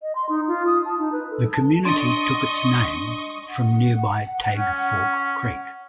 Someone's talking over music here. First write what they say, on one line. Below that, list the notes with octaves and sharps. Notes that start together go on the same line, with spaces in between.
The community took its name from nearby Tague Fork creek.
D#5
C6
D#4
F4
D#6
A5
D#4
B4
A4
A5
D4 D#5 C6 C#6 D#6
F#5
C#4